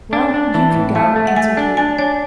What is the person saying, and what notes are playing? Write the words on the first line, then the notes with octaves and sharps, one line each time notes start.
'Well, you can go,' answered he.
D4 G#5
D4
E3 A5
A2
A3 A5
A3
F#5
A3 G#5
D4
D4 G#5
D4 C#5